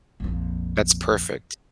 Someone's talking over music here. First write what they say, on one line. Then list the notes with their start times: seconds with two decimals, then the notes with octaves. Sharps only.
That's perfect.
0.20 A#1 F2